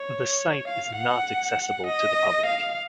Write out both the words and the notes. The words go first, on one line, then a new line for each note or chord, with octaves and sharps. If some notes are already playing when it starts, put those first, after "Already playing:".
The site is not accessible to the public.
Already playing: C#5
F5
F#5
D#5
F5